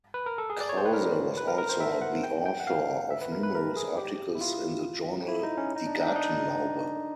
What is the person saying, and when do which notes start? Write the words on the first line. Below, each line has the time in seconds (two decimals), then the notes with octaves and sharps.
Krause was also the author of numerous articles in the journal "Die Gartenlaube".
0.14 B4
0.26 A#4
0.38 A4
0.50 G#4
0.60 D5
0.69 C#5
0.77 C5
0.86 B4
0.94 A#4
1.38 B4
1.48 A#4
1.58 A#4
1.69 C5
1.80 E5
2.02 F#5
2.23 G5
2.46 G5
2.60 F#5
2.67 F5
3.11 E5
3.21 B4
3.32 A#4
3.43 B4
3.55 A#4
3.77 G#4
3.97 G4
4.35 E4
4.41 F4
5.28 E4
5.43 D#4
5.57 C#4
5.76 D#4
5.87 D4
6.01 D#4
6.08 D4
6.16 D#4